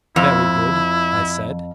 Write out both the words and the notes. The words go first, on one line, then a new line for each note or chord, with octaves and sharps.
"Very good," I said.
F2 E4